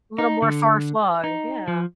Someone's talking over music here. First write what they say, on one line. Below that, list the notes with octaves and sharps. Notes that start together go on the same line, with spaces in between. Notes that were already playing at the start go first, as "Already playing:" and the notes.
A little more far-flung, yeah.
D#4
D3
D#4
F3